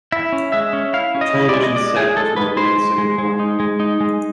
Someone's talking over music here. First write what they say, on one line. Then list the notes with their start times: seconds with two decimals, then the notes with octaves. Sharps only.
The television set was my babysitter growing up.
0.12 E4 E5
0.32 C#4
0.52 G#3 E5
0.73 C#4
0.93 E4 F5
1.15 C#4
1.21 D#5
1.35 E4
1.49 D5
1.55 G#3
1.64 D#5
1.76 G#3 D5
1.96 G#3 G#4
2.16 G#3 A4
2.36 G#3 B4
2.57 G#3 C5
2.78 G#3
2.98 G#3
3.18 G#3
3.39 D#4
3.60 G#3
3.80 D#4
4.00 G#3